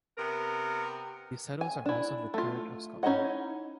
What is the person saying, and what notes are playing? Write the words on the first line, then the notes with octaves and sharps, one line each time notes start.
These titles are also in the Peerage of Scotland.
C3 B3 A#4
G#5
D4 E4
A3 F4
C#4 D#4 E4 D#5 F#5